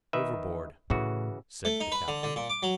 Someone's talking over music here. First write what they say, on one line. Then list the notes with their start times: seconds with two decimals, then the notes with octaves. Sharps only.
"Overboard!" said the captain.
0.13 D#3 B4 E5
0.90 A2 C#3 E3 F#4
1.65 A3
1.80 D#4
1.92 B4
2.08 D3
2.23 D3
2.36 A#2
2.50 D6
2.63 F#3